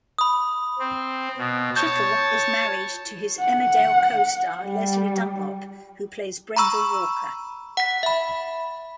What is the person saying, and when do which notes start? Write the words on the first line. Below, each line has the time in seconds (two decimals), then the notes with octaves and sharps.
Chittell is married to his "Emmerdale" co-star Lesley Dunlop, who plays Brenda Walker.
0.19 B5 D#6
0.79 C4
1.38 B2
1.76 C#5 A5 G6
3.40 F#5
4.63 G3
6.56 A#5 B5 C#6 E6
7.77 F#5 B6
8.03 E5 B5